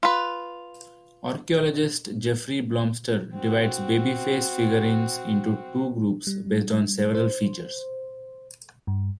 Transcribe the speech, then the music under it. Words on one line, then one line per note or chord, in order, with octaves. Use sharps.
Archaeologist Jeffrey Blomster divides baby-face figurines into two groups based on several features.
F4 B4
C4 F#4
G3
C5
G2